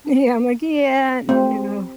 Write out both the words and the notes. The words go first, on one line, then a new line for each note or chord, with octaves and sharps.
Yeah, I'm like "Yeah, no,"
C4